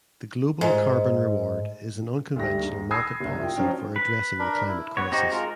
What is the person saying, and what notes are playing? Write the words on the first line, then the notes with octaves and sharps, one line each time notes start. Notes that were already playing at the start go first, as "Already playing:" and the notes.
The global carbon reward is an unconventional market policy for addressing the climate crisis.
G#2
D2 G3 A#6
D#2 G#2
B5 D#6 E6 G#6 A#6 C7
F#1 C2
F4 G5
F3 F#3 C#4 F4 G5
B4
D4 A#4 B5
E4
B3 B4 C#5
C4 D#4 F#4 G4
G#3 F4 A#4